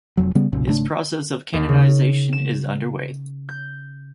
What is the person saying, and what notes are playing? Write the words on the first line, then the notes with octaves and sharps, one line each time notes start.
His process of canonization is underway.
F1 F2 F#3
C#3 G3 B3
F1 B1 A#2 C#3
G#1 C#3 A3 D4
D#2
C#3
E7
G6